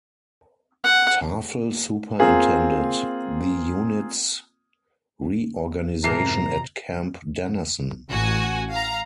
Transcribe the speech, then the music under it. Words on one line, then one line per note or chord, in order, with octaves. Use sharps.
Tafel superintended the unit's re-organization at Camp Dennison.
F#5
A#3 C4 F4 G#4
F2 G#2 C3 E3 A#4 A#5 C7
A1 F#4 G#5
F5 A#5